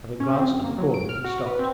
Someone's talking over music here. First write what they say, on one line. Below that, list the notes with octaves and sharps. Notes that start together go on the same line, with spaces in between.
Having glanced at the cordon he stopped.
C#4
C4
F#2
A#3
F#3
D7
F6
F#4
B4
C4